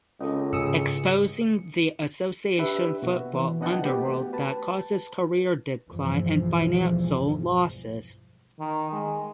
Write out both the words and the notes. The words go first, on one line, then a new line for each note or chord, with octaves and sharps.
Exposing the association football underworld that causes career decline and financial losses.
C#2 C#4 A4 D#5
G#2 C#3 G#3 G#4 D#6 E6 C#7
D4 G4 B4 E5
B2 F#4
E3
B3 D4 D#5 F#5 G5 A5
A3 B3 F#4 G4
B4 A5
B1 E2 G2 E3 F3 G#3
D#3
G#3